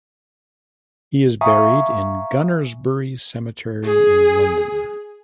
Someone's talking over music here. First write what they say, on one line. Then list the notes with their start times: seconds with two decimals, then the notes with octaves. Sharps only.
He is buried in Gunnersbury Cemetery in London.
1.41 E5 F5 G#5 A#5 C#6 D#6
3.83 G#4